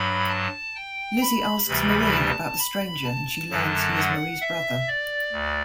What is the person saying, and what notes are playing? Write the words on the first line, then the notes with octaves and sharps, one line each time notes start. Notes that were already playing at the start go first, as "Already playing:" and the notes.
Lizzie asks Marie about the stranger and she learns he is Marie's brother.
Already playing: G2 F#3 B5
A5
G5
B5
D2 C3 E3 G3
A5
B5
A5
F#2 D3 F#3
F#5
E5
D5
D2